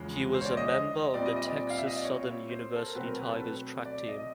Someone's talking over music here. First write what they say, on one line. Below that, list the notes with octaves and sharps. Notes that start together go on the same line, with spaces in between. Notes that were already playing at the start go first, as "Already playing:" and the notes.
He was a member of the Texas Southern University Tigers track team.
Already playing: E2 C#3 F3 G#3
C5
C#5
D5
D#5
A#2 G3 C4 D5
D#5
D#5
D5
F5
E5
D#5
D5
C#5
C5
A4
A#4
B2 F#3 A3 C4 B4
A#4
B4
A4
B4
D5
D#5